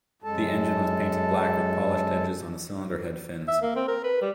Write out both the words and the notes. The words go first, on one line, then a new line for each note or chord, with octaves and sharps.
The engine was painted black with polished edges on the cylinder head fins.
F#2 G#3 A4 A5
E5
A#3
C4
A#4
B4
G3